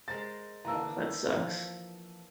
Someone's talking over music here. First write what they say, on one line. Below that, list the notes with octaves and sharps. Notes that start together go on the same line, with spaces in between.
Ugh, that sucks,
G#3 A#4 C5 A6
E3 A#3 D4 A#5 E6
F3